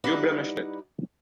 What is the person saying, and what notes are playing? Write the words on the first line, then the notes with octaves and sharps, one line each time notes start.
You blemished it.
G3 D#4 E4 B4 D5 F#5